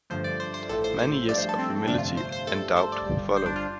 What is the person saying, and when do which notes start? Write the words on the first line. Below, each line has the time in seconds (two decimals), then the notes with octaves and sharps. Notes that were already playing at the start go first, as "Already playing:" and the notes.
Many years of humility and doubt follow.
0.10 G2 D3 F3 A3 C5
0.24 D5
0.40 C5
0.54 C5
0.69 A1 A2 F3 A3 A4
0.84 C5
0.99 C5
1.28 G2 F3 A3 D5
1.38 C5
1.49 A4
1.59 C4
1.88 G1 F2 C3 A3 D4
1.98 F4
2.17 C5
2.32 C5
2.47 G2 F3 A3 A4
2.76 C5
2.92 D5
3.06 G1 G2 G3
3.37 C5
3.46 D4
3.56 F4